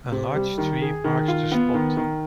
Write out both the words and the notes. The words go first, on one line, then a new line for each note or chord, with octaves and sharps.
A large tree marks the spot.
C3
G3
D#3
G#4
D#3
F4
B3
D#3
D#3